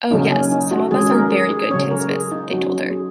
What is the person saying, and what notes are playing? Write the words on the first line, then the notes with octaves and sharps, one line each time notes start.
"Oh, yes; some of us are very good tinsmiths," they told her.
C#3 F#3 A#3 C#4 D#4
C#4
D#4
F#4
D#3 G#3 C#4 G#4
A#4
G#4
G#4
C#3 F#3 C#4 C#5
A#4
G#4
D#4
F#3 C#4 F#4
G#4